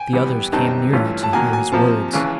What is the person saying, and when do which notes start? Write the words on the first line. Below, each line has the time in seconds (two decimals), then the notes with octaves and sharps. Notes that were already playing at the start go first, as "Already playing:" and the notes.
The others came nearer to hear his words.
Already playing: G5 G#5
0.13 E3 G3 B3 E4
0.52 F#2 D#3 G3 C4 D#4 A5
0.93 G2 E3 A3 C#4 F4
1.23 A5
1.33 D#3 F#3 A#3 G#5
1.53 G#5
1.72 C3 F3 A#3 A5
2.13 C#2 C#3 E3